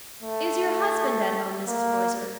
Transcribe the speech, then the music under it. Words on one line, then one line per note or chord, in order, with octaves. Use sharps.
"Is your husband at home, Mrs. Poyser?"
A3
A#3